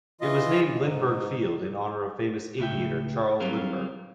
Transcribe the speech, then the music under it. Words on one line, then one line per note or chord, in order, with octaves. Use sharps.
It was named Lindbergh Field in honor of famous aviator Charles Lindbergh.
E3 F4 D#5
G#2
C#2 A2 E5 G5
F#3 G3 C4 F4 G#4 A#4